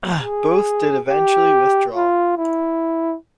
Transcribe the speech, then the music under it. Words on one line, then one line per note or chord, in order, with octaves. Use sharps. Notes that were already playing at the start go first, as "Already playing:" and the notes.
Both did eventually withdraw.
G#4
G4
F4
E4